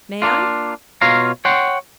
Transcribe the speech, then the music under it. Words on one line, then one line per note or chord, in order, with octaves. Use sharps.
"May I?"
A#3 D4 F4
B2 F4 C#5 F5 A#5
C#5 F#5 G5 C6